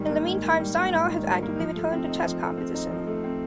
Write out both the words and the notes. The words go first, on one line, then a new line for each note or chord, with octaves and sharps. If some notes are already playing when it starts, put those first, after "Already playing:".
In the meantime Sinar has actively returned to chess composition.
Already playing: G#2 D#3 G3
A#3
G#2
D#3
G3
A#3
G#2
D#3
G3
A#3
F3
A3
C4
D#4
F3
A3
C4
D#4
F3
A3
C4